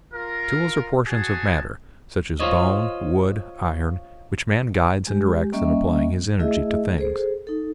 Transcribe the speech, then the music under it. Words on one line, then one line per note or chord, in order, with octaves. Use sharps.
Tools are portions of matter, such as bone, wood, iron, which man guides and directs in applying his energy to things.
F4 A#4
F#4 G#4 C#5 G#5 A5
F4 C5 C#5 D#5
G#3 G4
G3 A#3 C#4 D#5 E5
A3 E4 G#4 D#5 E5
G#4 A4 C5
D#4 A4